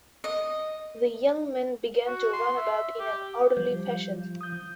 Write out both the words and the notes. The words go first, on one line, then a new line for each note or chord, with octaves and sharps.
The young men began to run about in an orderly fashion.
D#5
F#4
C6
E5
G4
F3 G3 G6
D#6 G6